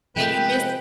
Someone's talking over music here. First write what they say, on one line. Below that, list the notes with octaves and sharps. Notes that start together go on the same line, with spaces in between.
and you miss
C3 F3 G#3 A#3 B4 G5